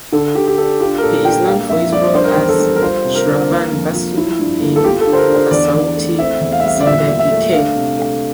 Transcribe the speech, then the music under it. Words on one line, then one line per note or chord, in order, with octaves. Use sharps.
He is known for his role as Shravan Basu in "Kasautii Zindagii Kay".
D3 A4
D3 G4
G4
D4 A4
F4 G4
A#4
A#2 A4
D4 G5
A#3 F5
F2 E5
G3 D5
D4 C5
A#4
C5
E2
A4
G3
A#4
F4 C5
C3
A#4
D4
A#3
F2
F3
E4
G2
A#3
A4
F4 G4
A4
D3
C5
A#4
D4
C5
E2 D5
E2
A3
C4 E5
E2
F5
E5
G3 F5
D5
A#2 E5
A#2
E5
A3
D4 F5
C3
A3